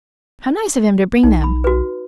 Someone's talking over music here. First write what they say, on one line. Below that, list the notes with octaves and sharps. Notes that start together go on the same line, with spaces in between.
How nice of him to bring them!
B1 D#4
B5
F#4 B4